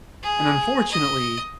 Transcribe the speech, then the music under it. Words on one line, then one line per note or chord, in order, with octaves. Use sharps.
and unfortunately,
G#4
D#5